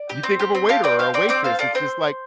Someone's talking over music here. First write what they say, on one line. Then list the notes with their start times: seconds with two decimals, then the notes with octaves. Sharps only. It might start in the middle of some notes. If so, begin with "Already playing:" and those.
you think of a waiter or a waitress, it's just, like
Already playing: D5
0.09 G4
0.23 C4
0.39 G4
0.55 C4
0.69 G4 F5 A5
0.84 C4 D5 G5
0.99 G4 C5 F5
1.14 C4 D5 G5
1.29 C4 D5 G5
1.44 A4 C5 F5
1.59 F4 A4 D5
1.75 C4 C5